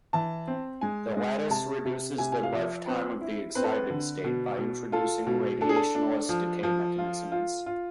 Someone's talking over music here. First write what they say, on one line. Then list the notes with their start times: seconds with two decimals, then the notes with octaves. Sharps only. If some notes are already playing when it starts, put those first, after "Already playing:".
The lattice reduces the lifetime of the excited state by introducing radiationless decay mechanisms.
0.13 E3 A5
0.47 C4
0.81 G#3 G#5
1.17 G#3
1.50 C3 A5
1.85 C3
2.18 C3 G#5
2.32 G#5
2.43 F5
2.53 F3 E5
2.87 C4 B4
3.21 E4
3.55 C4 B4
3.64 A4
3.71 B4
3.90 D3
4.24 B2
4.58 B2
4.92 F4 A4
5.27 B2
5.61 D4 A4
5.69 G#4
5.76 A4
5.95 D4
6.29 F3
6.63 F3
6.98 F4
7.32 F4
7.66 F4